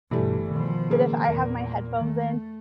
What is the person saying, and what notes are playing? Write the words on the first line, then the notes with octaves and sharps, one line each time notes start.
that if I have my headphones in,
G1 G2 B2 E3 G3 A3
B2 D#3 F3
C#3 G#3 A#3
E2 A#2 A#4
D#3 A3